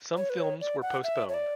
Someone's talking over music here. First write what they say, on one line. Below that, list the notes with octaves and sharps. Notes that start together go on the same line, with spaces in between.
Some films were postponed.
C#5
B4
C#5
D5
F#5
E5
C#5
D5